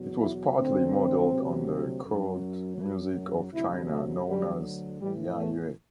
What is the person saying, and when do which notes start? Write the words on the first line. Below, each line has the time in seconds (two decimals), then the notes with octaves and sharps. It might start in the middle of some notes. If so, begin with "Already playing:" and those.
It was partly modeled on the court music of China, known as "yayue".
Already playing: E2 B2 F#3
0.18 E4
0.55 D2 D3 F#3 C4
1.30 D2 C3 F#3
2.04 F#2 F#3
2.78 F#2 F#3
3.52 D2 C3 F#3 E4
3.89 A3
4.26 D2 D3 F#3 G3
5.00 A2 E3 G3
5.37 A3